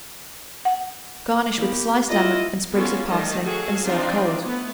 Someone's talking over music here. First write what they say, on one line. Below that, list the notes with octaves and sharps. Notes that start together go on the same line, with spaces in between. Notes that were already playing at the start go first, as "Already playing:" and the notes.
Garnish with sliced lemon and sprigs of parsley and serve cold.
F#5
A#3 B3 G4
E4 F4 D#5
B3 C#4 F4 F#4 A4
D#3 G3 A3 A#4 D#5 A5
F#3 F#4 G#4 A4 F5
F3 C4 D4 D#4 F4 D5
A3 B3